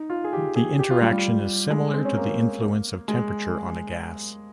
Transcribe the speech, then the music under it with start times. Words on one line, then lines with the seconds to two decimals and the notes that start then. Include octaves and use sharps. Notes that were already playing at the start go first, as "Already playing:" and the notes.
The interaction is similar to the influence of temperature on a gas.
Already playing: D#4
0.10 F4
0.24 G#4
0.33 G4
0.56 G#4
0.79 G4
0.90 F4
1.02 G3
1.13 G3
1.70 G#3
1.94 C4
2.05 C#4
2.17 A#3
3.08 G#3